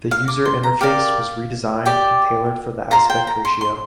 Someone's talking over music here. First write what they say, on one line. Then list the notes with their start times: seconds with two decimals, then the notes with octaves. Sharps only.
The user interface was redesigned and tailored for the aspect ratio.
0.11 F5
0.28 D6
0.45 C6
0.63 A#5
0.81 G4 A#4 D5 F5
1.86 G4 D5 G5
2.91 F4 C5 A#5
3.10 G5
3.27 A#5
3.45 C6
3.61 C6